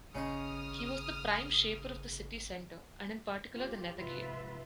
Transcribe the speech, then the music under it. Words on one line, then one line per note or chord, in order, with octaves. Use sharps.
He was the prime shaper of the city centre and in particular the Nethergate.
G#1 C#3 C#4 D#4 C6 D#6 F6
F4 G4
G#2 C3 F3 F4 B4 E5